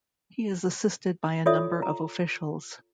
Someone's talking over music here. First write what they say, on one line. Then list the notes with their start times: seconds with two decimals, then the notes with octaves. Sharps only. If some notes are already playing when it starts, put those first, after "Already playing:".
He is assisted by a number of officials.
1.46 F4 A4 C#5 D5 E5 D#6
1.82 A#5